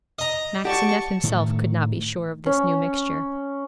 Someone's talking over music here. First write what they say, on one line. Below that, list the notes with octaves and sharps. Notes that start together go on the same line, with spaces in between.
Maxineff himself could not be sure of this new mixture.
D#5 A#5
G4 D5 F#5 A5 C#6
A2 D#3 A3
C#4